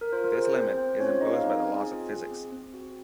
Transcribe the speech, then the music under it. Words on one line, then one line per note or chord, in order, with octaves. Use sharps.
This limit is imposed by the laws of physics.
A#4
F4 C5
A#4
C5
G#4
C5
C4
C5
C4 C5
C#4 F4 C#5
D#4 G#4 D#5
F5
C4 D#4 D#5
C4
G#4 G#5
F4
G#4
C4
C4
F#4